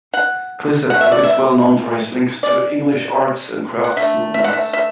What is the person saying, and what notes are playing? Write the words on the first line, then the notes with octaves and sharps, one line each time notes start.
Clissett is well known for his links to the English Arts and Crafts Movement.
F#5
B2 A3 F#5
E5
D5
E5
B2 G#3 D5
F#5
D3 A3 E5
E5
F#5
E5
E5